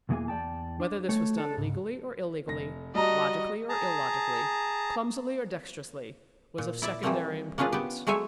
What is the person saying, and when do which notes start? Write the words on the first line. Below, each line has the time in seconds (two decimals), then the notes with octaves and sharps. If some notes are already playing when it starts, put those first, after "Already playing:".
Whether this was done legally or illegally, logically or illogically, clumsily or dexterously, was of secondary importance.
0.09 B1 E2 E3 A#3 G#4 G#5
0.28 E2 D5 G5 A5
0.80 D4
1.09 A3 C#5
1.38 D4 A4
1.57 C#2 G#2
2.48 F1 A#6
2.95 G3 F#4 D#5 A5 A#5
3.69 G#4 A5 A#5
6.58 A#2
6.82 E4 D5 E5
7.03 E3 F3 G3 A3 A#3 C4
7.58 A#3 C#4 D4 F4 G#4 B4
7.73 B3 G4
8.07 F#3 G#3 A3 C#5 E5 G#5